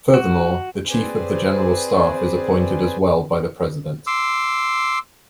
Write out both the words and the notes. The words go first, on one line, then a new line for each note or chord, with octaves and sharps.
Furthermore, the Chief of the General Staff is appointed as well by the President.
F#4
C4 G#4 B4 C5 D5 G#5
C6 D6 E6